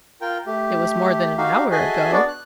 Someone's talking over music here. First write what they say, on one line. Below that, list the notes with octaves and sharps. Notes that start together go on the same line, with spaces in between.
It was more than an hour ago.
F4 A#4 G5
A3 G4
D#4 F#4 G4 F5
F#4 G#4 A4 D#5 E5 G#5
B3 D4 F#4 D5
F#6